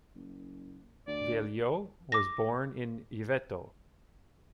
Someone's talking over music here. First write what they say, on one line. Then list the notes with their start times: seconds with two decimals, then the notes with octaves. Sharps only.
Vieillot was born in Yvetot.
0.15 F#1
1.07 D2 D5
2.12 D6 A#6